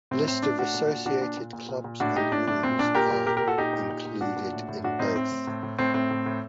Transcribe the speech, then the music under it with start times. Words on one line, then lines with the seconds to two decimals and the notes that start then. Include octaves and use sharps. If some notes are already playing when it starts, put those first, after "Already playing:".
List of Associated Clubs and Rules are includes in both.
0.11 A2 C4
0.27 A2 C4
0.43 A2 D4
0.58 A2 D4 F#4
0.74 A#2
0.90 A#2
1.06 A#2 D4 F#4
1.21 A#2 D4
1.37 A#2
1.53 A#2
1.69 A#2
1.84 A#2
2.00 A2 D4 F#4
2.16 A2 D#4 G4
2.32 A2 D4
2.47 A2 D4
2.63 A#2 C4
2.79 A#2 D4
2.95 A#2 G4 A#4
3.11 A#2
3.26 A#2 G4 A#4
3.37 G4 A#4
3.42 A#2
3.47 F#4 A4
3.58 A#2 D#4 G4
3.73 A#2
3.90 A#2
4.05 A#2
4.21 A#2 D4 F#4
4.37 A#2
4.53 A2
4.69 A2
4.84 A2 D4 F#4
4.99 A2 C4 D#4
5.16 A2 C4
5.32 A2
5.47 A2
5.63 A2
5.79 A2 C4
5.94 A2 C4
6.10 A2
6.26 A2